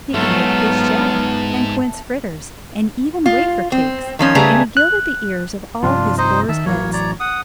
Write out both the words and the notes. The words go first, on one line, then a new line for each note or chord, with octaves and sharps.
He could make fish-jelly, and quince fritters, and even wafer-cakes; and he gilded the ears of all his boars' heads.
G#2 F#3 A3 B3 F4
F4
C4
D#3 F3 C#4
C#3 G3 A3 G#4 B4 A#5
F#6
G2 C3 F3 D4 F4
D#4 C5 D#5
D#3 E5 A5
A1 E3 F#3 A#3 C#5
C#5 D5 A#5
F#5 D#6